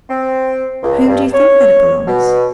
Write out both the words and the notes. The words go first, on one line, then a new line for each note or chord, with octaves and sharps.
"To whom do you think that it belongs?"
C4
C#2
G2
C#5
B2